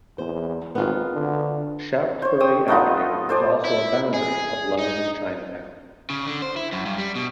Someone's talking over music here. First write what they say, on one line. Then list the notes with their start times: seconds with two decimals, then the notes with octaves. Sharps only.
Shaftesbury Avenue is also a boundary of London's Chinatown.
0.18 E2 C5
0.75 G#1 B3 F4
1.14 D3
2.22 C5 C#5
2.40 G5 C#6 D#6 E6
2.68 A3 B3 D#4 F4
3.29 A4 C5 D5 G#5
3.65 E4
4.14 G#4
4.78 D#4
6.10 C#3
6.27 D3
6.42 C5
6.56 E4
6.72 F#2
6.86 G2
6.98 G3
7.15 B2